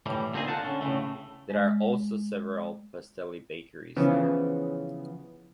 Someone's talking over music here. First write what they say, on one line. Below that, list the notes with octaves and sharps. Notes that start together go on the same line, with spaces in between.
There are also several Pasteli bakeries there.
A2 E3 G3
A#2 D3 C4 C#4 D#4 G#4
A4 F5 F#5 A5
D3 C#4
A2 C#3 E3 A3
G#3
C#3 E3 F3 B3